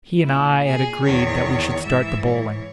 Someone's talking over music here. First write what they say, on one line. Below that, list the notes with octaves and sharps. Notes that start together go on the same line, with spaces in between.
He and I had agreed that we should start the bowling.
A#2 E4
G#4
E2 D#3 C#5
G#2 E3 E5
C#5